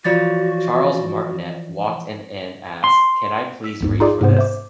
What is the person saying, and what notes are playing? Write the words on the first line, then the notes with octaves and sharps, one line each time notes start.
Charles Martinet walked in and asked, "Can I please read for this?".
E3 F3 F4 F#4 C#5 D5 A6
C6
E6 B6
A#1 E2 G#2
D#4 F4 G#4 D5 C6 D6
G#2 C3 B3 C5
C5 E5 D6